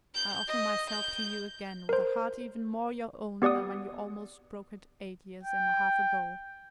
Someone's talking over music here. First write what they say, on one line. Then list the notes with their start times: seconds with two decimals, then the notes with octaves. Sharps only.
I offer myself to you again with a heart even more your own than when you almost broke it, eight years and a half ago.
0.15 G6
0.48 D#5
0.90 G6
1.89 A#4 C5
3.42 B3 G4 D5 F#5 D#6
5.43 G5